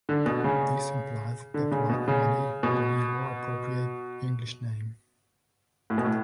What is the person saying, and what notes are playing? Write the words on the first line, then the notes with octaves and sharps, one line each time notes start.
This implies that "white noddy" would be a more appropriate English name.
D3
B2
C#3
D3
C#3
B2
C#3
B2
A2
B2
A2